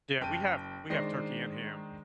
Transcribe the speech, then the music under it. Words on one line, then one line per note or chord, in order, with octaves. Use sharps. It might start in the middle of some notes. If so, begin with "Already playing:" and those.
Yeah. We have we have turkey and ham.
F#1 G5 A5 D#7
D#3 G#3 D4 C5 A#6 C7